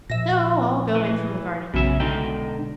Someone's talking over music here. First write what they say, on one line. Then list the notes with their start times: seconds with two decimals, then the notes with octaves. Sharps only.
"No, I'll go in from the garden."
0.10 A#2 F3 E5 A#6
0.95 E3
1.74 B1 F#2 C#3 E3 E5
2.00 B2 D3 G#3 D#4 G5